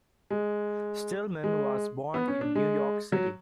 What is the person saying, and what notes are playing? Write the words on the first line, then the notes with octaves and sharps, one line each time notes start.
Stillman was born in New York City.
G#3
G#3
B3
C#4
D4
G#3
F#3